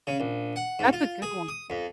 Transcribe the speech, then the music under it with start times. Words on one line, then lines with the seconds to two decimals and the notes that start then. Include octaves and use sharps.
that's a good one.
0.07 C#3
0.20 A#1
0.56 F#5
0.79 G#2
0.93 F4
1.22 G#4
1.49 D#6
1.70 F2